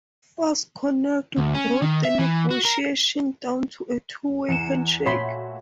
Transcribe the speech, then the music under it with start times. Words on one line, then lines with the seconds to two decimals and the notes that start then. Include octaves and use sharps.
Fast Connect brought the negotiation down to a two-way handshake.
1.38 D2
1.55 C#4
1.82 D#3
2.05 E5
2.19 E3
2.51 F#4
2.65 A#4
4.48 E2 C#7 E7
5.06 A#2 A3 F#4 C#5 B5 C6